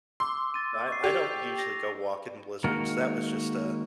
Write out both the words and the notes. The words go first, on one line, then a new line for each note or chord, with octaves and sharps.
I I don't usually go walk in blizzards, that was just a
C6 D6 E6
A6 D#7
C#6 C7
G4 F7
A#6
D#3 G#3 A#3 F#4 A#4